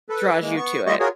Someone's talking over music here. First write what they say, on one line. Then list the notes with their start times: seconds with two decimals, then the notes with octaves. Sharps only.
draws you to it?
0.09 A4 B4
0.42 E3 G#3 A#3
0.57 B3 C#6
0.87 G3 A3 F4 G4 D#5 C#6
1.00 F4 F#4 G#4 A#4 C#5